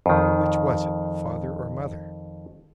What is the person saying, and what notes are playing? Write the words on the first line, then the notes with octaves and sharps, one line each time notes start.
But which was it, father or mother?
F2 D#3